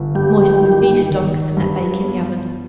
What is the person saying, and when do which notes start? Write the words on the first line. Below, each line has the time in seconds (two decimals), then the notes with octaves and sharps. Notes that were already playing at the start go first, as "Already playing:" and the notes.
Moisten with beef-stock and let bake in the oven.
Already playing: G1
0.15 G2 G4
0.62 D#3
1.10 G#1
1.57 G2
2.04 B3